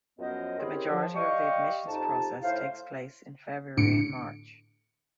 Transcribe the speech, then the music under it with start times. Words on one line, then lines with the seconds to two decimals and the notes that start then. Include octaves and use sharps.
The majority of the admissions process takes place in February and March.
0.19 F#2 F3 B3 A#4 C5 D#5
0.59 C4 C#4 E4 G4 G#4 A#4
0.91 F3
1.14 G4 D5 D#5 F5 G5 C#6
1.88 F2 F3 D#4 G4 A5
2.43 A2 C5 F5
3.77 A1 A2 D3 C#7 D7